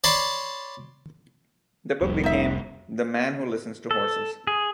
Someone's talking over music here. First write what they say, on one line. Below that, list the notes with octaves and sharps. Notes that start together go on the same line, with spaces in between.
That book became "The Man Who Listens to Horses".
C#5 D5 A5 B5 C6
F1 C2 F2
D#4 E5
A4
G#4